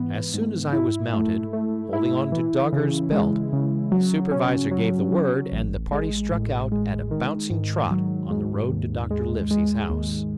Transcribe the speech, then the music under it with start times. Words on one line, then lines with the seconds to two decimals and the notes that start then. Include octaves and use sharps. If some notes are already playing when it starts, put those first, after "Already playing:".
As soon as I was mounted, holding on to Dogger's belt, the supervisor gave the word, and the party struck out at a bouncing trot on the road to Dr. Livesey's house.
Already playing: G#2 E3 B3
0.34 G#2
0.73 E4
1.13 A3
1.53 A3
1.93 E4
2.32 E3
2.73 C#3
3.12 G#3
3.53 C#3
3.92 F#3
4.31 C#4
4.71 F#3
5.12 F#3
5.52 A1
5.92 G#3
6.31 A2
6.72 G#3
7.11 D#3
7.50 G#2
7.91 F#3
8.31 G#2
8.70 D#2
9.11 G#3
9.51 G#3
9.90 D#2